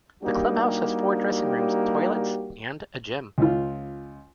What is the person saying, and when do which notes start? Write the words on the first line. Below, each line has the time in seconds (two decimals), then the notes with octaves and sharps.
The clubhouse has four dressing rooms, toilets and a gym.
0.23 G3 A#3 D4 D#4 F#4 G4
3.38 C#2 F4